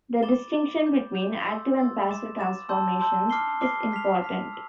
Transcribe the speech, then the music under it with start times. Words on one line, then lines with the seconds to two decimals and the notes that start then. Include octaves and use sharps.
The distinction between active and passive transformations is important.
0.23 B5 D6 A6 E7 G7
0.53 B5 D6 A6 E7 G7
0.84 B5 D6 G6
1.15 B5 D6 G6
1.46 C6 E6 A6
1.76 C6 E6 A6
2.07 B5 D6 A6 E7
2.38 B5 D6 A6 E7
2.69 A5 C6 E6 G6
3.00 A5 C6 E6 G6
3.30 D6 F6 C7 G7
3.61 D6 F6 C7 G7
3.92 F6 B6 F7
4.22 F6 B6 F7
4.53 E6